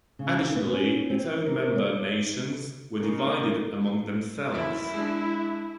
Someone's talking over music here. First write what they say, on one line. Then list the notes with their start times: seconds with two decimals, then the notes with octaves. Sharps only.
Additionally, its own member nations were divided among themselves.
0.19 C#3
0.55 B3
0.72 C#4
1.10 C4
1.46 A#4
1.76 C#5
2.99 C#3 A#3 D#4 A#4
4.54 F#2 E4 E5 D7
4.94 G#3 D4